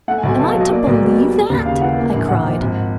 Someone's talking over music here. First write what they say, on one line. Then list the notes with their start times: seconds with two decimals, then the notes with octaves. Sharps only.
"Am I to believe that?" I cried.
0.08 A3 F#5
0.18 G#5
0.23 B1
0.29 G#5
0.39 B2 A5
0.50 F5
0.55 F#3
0.60 D#5
0.71 A#3 D5
0.86 B1 D#5
1.02 B2
1.18 G3
1.34 G3
1.50 D#2
1.65 C#3 F5
1.81 E3 F#5
1.97 A#3
2.13 A#1
2.28 A#2 F#5
2.44 F3
2.60 G#1